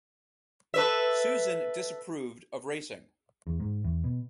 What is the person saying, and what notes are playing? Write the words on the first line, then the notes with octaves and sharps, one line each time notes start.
Susan disapproved of racing.
A4 B4 E5
E2
G#2
E2
B2